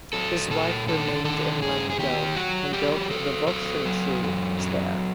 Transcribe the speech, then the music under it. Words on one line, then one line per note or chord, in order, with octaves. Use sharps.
His wife remained in Lemgo and built the Volkshochschule there.
F#3 A4
A#2 A4
D#3 A4
D#3 A4
G2 G#4
G#4
D#3 G4
F#3 F#4
F#3 G4
F#3 A4
F#3 A4
F#3
F#2
F#3